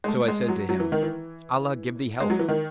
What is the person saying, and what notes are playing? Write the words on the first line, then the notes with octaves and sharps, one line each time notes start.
So I said to him, 'Allah give thee health!
G#3
A3
G#3
F#3
F#3
E3
D#3
E3
G#3
F#3
E3
D#3